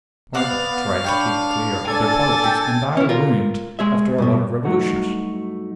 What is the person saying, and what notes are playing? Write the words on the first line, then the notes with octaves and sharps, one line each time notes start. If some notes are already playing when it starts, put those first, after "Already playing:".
Marta, tried to keep clear of their politics, and died ruined after a lot of revolutions.
B3 D5 F5 F#5
D4 B4 C#5 G5
A#3 D4 A4 G#5 A6
G5
C#4 E4
F4 A#4
G#3 G#4 E5
G2 B2
G2 F#3 A3 D#4 F#4